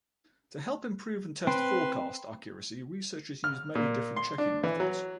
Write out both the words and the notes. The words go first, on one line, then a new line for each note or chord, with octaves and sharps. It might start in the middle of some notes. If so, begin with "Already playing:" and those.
To help improve and test forecast accuracy researchers use many different checking methods.
C4 B4 C6
F6
A#2
C6
D4
E3
F#3